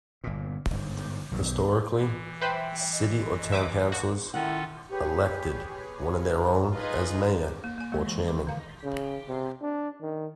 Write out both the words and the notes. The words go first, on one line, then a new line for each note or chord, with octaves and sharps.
Historically, city or town councillors elected one of their own as mayor, or chairman.
G1 A#2
G1 G#2
B1 D#3 F#3
E3
B4 C5 E5 G5 B5
D#5
E5 D6 D#6
D#2 F#4
D#3 C#4 E4 F4 A4 F#5
G4 G#4 B4 C#5
D#4 F4 G#4 B4 D#5
A#3
A#3 G#5
G#3 A#3
E3
D6
D3 D#3 F5 G#5
C#3
C3
D4
D#3